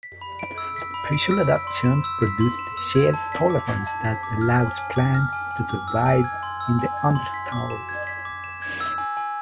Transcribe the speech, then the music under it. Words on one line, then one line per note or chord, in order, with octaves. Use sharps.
Special adaptations produce the shade tolerance that allows plants to survive in the understory.
B6
B5
D7
E6
B6
B5
D7
E6
B6
C6
E7
E6
B6
C6
E7
E6
G#6
A5
B6
D6
G#6
A5
B6
D6
F6
G#5
G#5
D6
F6
G#5
G#5
D6
E6
G#5
G#6
C6
E6
G#5
G#6
C6
B6
D6
E7
G#6
B6
D6
E7
G#6
E6
G#5
G#5